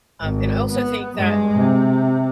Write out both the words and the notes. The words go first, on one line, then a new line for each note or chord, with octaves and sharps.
um, and I also think that,
G#1
B3
G2 G#3
C3